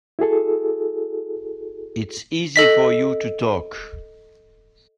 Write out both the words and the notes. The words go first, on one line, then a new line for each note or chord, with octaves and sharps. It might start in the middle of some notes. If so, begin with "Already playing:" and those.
It's easy for you to talk.
E4 F#4 G#4 A4
A4 D#5 B6